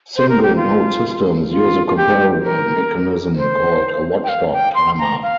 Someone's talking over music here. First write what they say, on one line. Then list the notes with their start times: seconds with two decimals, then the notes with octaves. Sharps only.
Single node systems use a comparable mechanism called a watchdog timer.
0.16 C5
0.29 A#4
0.42 G4
0.56 F4
1.50 F4
1.87 F4
1.96 G4
2.43 A#4
3.36 C5
4.24 G5
4.29 F5
4.53 G5
4.75 C6
4.99 A#5
5.22 F5